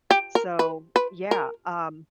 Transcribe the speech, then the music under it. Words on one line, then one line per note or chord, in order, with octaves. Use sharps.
So, yeah, um
G4
A#4
B4
B4
A#4